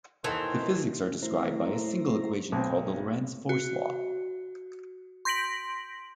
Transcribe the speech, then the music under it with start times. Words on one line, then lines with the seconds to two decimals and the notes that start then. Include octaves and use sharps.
The physics are described by a single equation called the Lorentz force law.
0.24 D#2 D#3 E3 A4 C5
1.22 A3 E4 C5 A#5
2.52 B1 C4
3.49 F#4
5.25 C6 G6 A#6 B6 D7 F#7